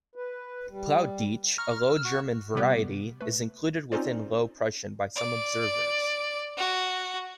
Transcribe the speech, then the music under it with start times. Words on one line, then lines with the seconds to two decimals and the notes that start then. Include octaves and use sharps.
Plautdietsch, a Low German variety, is included within Low Prussian by some observers.
0.15 B4
0.69 G3
1.58 A#5 C#6 F6
1.90 E6
2.05 F#4 C#6
2.55 C3 G3 B3 G4
3.21 A3 B4
3.92 C4 C#4 D#4 F4 C5 D5
5.16 D5
6.58 F#4